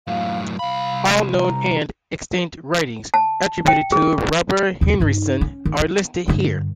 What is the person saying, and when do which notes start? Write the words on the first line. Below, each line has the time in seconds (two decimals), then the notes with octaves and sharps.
All known and extant writings attributed to Robert Henryson are listed here.
0.07 F#2 A2 F5
0.59 C2 F5 B5
1.38 A#5
3.14 A5
3.68 G5
3.92 G#4
4.81 D#2 C#3
5.00 G2 D#4
5.41 C#4
5.65 D#3
5.80 B3
6.28 G2 D3